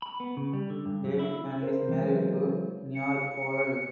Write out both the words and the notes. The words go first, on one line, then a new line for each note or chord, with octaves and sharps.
Davidman is married to Neal Horrell.
B5
B3
C#3
G3
D3
G2
F#3
E4
A#4 C5
E3 G#3
F#3
C#7